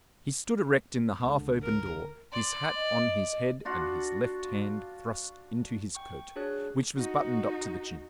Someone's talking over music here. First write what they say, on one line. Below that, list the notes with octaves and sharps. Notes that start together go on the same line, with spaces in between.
He stood erect in the half-open door, his hat on his head and his left hand thrust into his coat, which was buttoned up to the chin.
C#2 D3
A#4
D5 C6
D#5
D4 F4 F#4
G5 C#6
D4 F#4 G#4 C#5 F#6
D#4 F#4